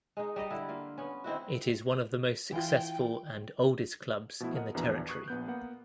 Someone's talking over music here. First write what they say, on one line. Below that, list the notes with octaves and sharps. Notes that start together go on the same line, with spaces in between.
It is one of the most successful and oldest clubs in the territory.
G#3 D#4
G3 D#4 D#5
D3 E4
A#3 F4
B3 C#4
D#3 C4 E4 F#4
E3 F4 G5
B2 F3 A3 B3 E4
A#4 D#5 F#5
A#1 E2 B2 E3 D4 A#5
C#6 D#6 F#6 C7
A#1 B3 G6
A#3 B3 F#5